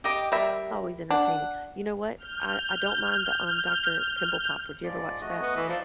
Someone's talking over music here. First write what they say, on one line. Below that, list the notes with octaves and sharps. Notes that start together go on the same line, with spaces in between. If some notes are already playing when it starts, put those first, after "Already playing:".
always entertaining. You know what? I I don't mind the, um, Dr. Pimple Popper, do you ever watch that?
G4 D#5 D6
G3 A#4 E5 B5
D4 F#5
F6 G6
G#2 F3 D5
A3 F#4 D#5
B3
E3
F3 D#4 D5 A5